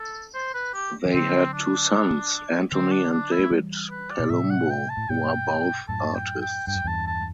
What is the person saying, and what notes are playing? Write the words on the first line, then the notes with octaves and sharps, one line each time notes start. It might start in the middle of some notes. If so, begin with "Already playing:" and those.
They had two sons, Anthony and David Palumbo, who are both artists.
Already playing: A4
C5
B4
G4
E3
D3 F#3 C4
D4
D3 F#3 C4
D4
D4
E4
A3
E3 G3
B4
D5
B2
A2 C3 E5
F#5
G5
A5
A2
G2 B2 G5
F#2 A2 A5
G5
G5
G2 G5
F#2
E2 G2 A5
A5